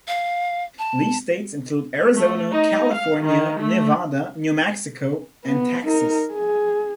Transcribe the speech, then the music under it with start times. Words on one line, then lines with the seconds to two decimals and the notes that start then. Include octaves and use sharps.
These states include Arizona, California, Nevada, New Mexico, and Texas.
0.08 F5
0.79 A5
2.15 A3
2.52 D#4
2.93 F5
3.22 D#3
3.60 A3
5.45 B3
5.86 D#4 A#4
6.33 G#4